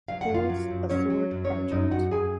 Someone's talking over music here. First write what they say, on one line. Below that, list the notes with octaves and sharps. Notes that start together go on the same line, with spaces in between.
Gules a Sword Argent.
F#3 F5
F#5
F#2
F4 F5
F#3
F#2
F#3 C#4 C#5
F#3
F#2
C#4 C#5
F#3
F#2 D#4 D#5
F#2 F#4 F#5
F#2 G#4 G#5